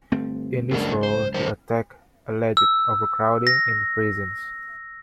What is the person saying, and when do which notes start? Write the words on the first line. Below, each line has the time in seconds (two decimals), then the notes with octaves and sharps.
In this role, he attacked alleged overcrowding in prisons.
0.12 G1 A3 C4
0.71 F#1 C#2 F#2 A#3 D4
1.03 C5
1.34 F#2 D#3 C5
2.57 E6
3.47 A#6